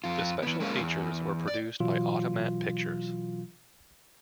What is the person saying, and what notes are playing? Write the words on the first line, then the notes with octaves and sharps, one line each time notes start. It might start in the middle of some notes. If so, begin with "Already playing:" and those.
The special features were produced by Automat Pictures.
F2 F4
E3 B3
G#3 A#3 C#4 F4
E2
D5
B2 E3 F#3 F4